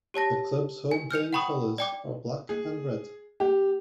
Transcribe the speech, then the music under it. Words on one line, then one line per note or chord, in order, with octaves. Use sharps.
The club's home playing colours are black and red.
G4 C#5 A5 A#6
G#5
F6 G6 C#7 F7
F#5 G5 B5 C#6 D#6
D5 G5 D6
G#4
G4